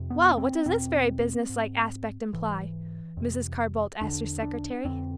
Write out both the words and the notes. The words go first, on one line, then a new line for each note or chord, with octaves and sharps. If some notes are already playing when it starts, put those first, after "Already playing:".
"Well, what does this very businesslike aspect imply?" Mrs. Carr-Boldt asked her secretary.
Already playing: F2 C3
B3
C4
E2 B2 C4
G#2
G#2 E3
F2 C3
E2 D3 D4
D4
F2 D3 C4